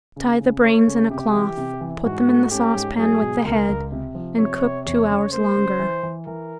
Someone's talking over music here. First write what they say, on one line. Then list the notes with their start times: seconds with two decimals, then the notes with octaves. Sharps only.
Tie the brains in a cloth, put them in the saucepan with the head and cook two hours longer.
0.16 C#3
0.41 C#3
0.63 A3 C#5
0.87 C#3
1.10 C3 G4
1.33 E3
1.57 C3
1.81 E3
2.04 G#2 F#4
2.28 A3
2.51 C#4 G4
2.75 G#2
2.98 F#3 G#4
3.22 B2
3.45 C#2 A#4
3.68 C#2
3.92 C3
4.15 F3
4.38 C3 C#5
4.62 C3
4.86 E2 C#5
5.09 C#3
5.32 A#3 C5
5.56 C#3
5.79 E3
6.03 E3
6.26 E3 A#4